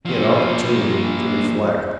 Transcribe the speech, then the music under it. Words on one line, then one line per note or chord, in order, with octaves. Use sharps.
He had opportunity to reflect.
F3 A#3